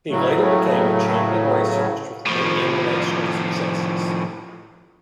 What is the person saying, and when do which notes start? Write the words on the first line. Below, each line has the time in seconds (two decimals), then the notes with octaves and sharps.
He later became a champion racehorse with many international successes.
0.10 A2 C#3 F#3 A3
2.27 A2 F3